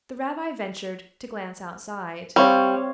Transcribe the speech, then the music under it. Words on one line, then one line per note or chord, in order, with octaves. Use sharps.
The rabbi ventured to glance outside.
G3 C4 C#5 F5